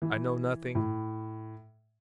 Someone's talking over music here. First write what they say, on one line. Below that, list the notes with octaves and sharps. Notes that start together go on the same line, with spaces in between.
I know nothing.
E3
A2